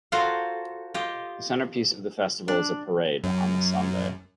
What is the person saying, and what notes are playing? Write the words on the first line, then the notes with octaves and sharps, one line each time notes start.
The centrepiece of the festival is a parade on the Sunday.
F4 F#4 A4 A#4 C5 F5
F4 G4 D#5
D4
F#2